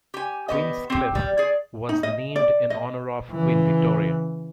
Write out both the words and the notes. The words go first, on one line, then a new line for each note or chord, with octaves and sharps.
Queenscliff was named in honour of Queen Victoria.
G4 G#5
B3 G4 D#5
C4 G4
G3
G#4 D5
D#4
D#5
D5
D#5
C#3 E3